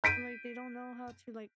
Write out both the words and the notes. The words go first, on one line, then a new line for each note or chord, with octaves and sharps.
Like, they don't know how to, like
G6 B6 D7 D#7